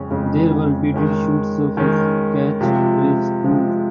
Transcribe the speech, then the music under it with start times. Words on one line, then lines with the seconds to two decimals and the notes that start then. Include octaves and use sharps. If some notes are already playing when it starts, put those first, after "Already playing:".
There were repeated shoots of his catch phrase Fuuuu!
Already playing: F2 C#3 G#3 C#4
0.10 F2 C#3 G#3 C#4
0.94 D#3 G#3 C#4
1.77 D#3 G#3 C#4
2.61 C3 F3 G#3
3.44 C3 F3 G#3